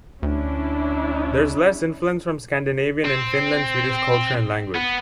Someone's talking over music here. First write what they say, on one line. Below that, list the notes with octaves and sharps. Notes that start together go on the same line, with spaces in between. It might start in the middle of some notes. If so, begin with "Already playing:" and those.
There is less influence from Scandinavian and Finland-Swedish culture and language.
D2 C#4 D4 E4
C4
B3